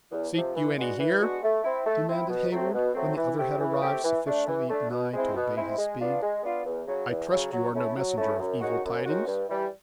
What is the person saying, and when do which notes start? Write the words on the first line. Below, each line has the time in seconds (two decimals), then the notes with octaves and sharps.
"Seek you any here?" demanded Heyward, when the other had arrived sufficiently nigh to abate his speed; "I trust you are no messenger of evil tidings?"
0.12 E2
0.34 C3 F3
0.55 E3
0.77 G#3 B3 D4 F#4
0.99 E3
1.21 G#3 B3 D4 F#4
1.43 A3
1.64 C4 E4
1.86 A3
2.08 C4 E4
2.29 B2
2.52 F#3 A3 C4
2.73 B2
2.95 F#3 A3 C4
3.16 E3
3.39 A3 C4 E4 G4
3.60 E3
3.82 A3 C4 E4 G4
4.04 E3
4.26 A3 D4
4.47 E3
4.69 A3 D4
4.91 B2
5.13 G#3 C4 E4
5.35 B2
5.57 G#3 C4 E4
5.78 G#3
6.00 B3 D4 F4
6.22 G#3
6.44 B3 D4 F4
6.66 E2
6.87 C#3 F#3
7.09 E2
7.31 C#3 F#3
7.53 F#3
7.75 A3 C#4 E4
7.96 F#3
8.18 A3 C#4 E4
8.39 F#2
8.61 D#3 G#3 C#4 F#4
8.84 F#2
9.05 D#3 G#3 C#4 F#4
9.27 G2
9.49 E3 G3